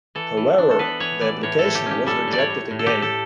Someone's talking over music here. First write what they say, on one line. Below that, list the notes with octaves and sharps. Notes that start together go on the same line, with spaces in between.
However, the application was rejected again.
E3 A4
E3
D4
A4
B3 B4
E3 C#5
E3 D5
A2 C#5
A4
A2
G4
C#4
G4
G3 A4
A2
D5
C#5
A2
A2
A4
G4
A2
A4